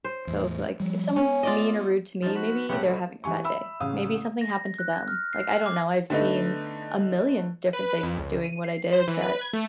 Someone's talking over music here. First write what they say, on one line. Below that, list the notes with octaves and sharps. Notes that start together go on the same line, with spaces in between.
So, it's like, if someone's mean or rude to me, maybe they're having a bad day, maybe something happened to them, like, I don't know. I've seen a million different things doing what I did that
C5
E2 A2
F3 G3
G#3 B3 C#4
F4 D5 D#5
E2 C#3 F3 D#4 A5
F#4 B5
C2 A2 C#3 G4 F#5
B2 D3 F3
E3 G4 G#5 C#6
E5 B5 E6
A1 C#3 F5 D#6
A#6
F#6
F6
C7
D6
D3 A3 B3 D#4
B4
F2
C#2
D#7
C7
C5
E3
B4
G#6
A3